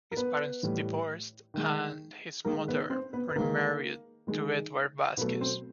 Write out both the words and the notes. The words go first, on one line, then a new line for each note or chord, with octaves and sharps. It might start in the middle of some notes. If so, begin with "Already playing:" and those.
His parents divorced and his mother remarried to Edward Vasquez.
A#4
B3 B4
A2 E3 G3
D#3 G#3
D#3 G#3 A#3 A#4
B3 B4
C4 C5
B3 B4
B4
D#3 G#3 A#3 A#4
D#3 G#3
B2 F#3 A3 B3 B4
C4 C5